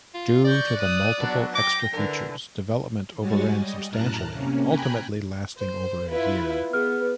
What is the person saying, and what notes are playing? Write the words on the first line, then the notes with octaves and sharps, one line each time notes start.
Due to the multiple extra features, development overran substantially, ultimately lasting over a year.
F4
D5 C#6 G6 A#6
D#6 F#6
F#3 B3 D4
G5 D6 A#6
D3 E3 A#4
G3 G#3 F#4 C#5 G#5 A6
G3 D#5
F#2 A2 A5 A#5 F6 F#6
C3 A#3 C#4
G5 G#5 A#5 B5 F#6 G#6
C5
E4 F4 B4
B3 G#4 B4 F6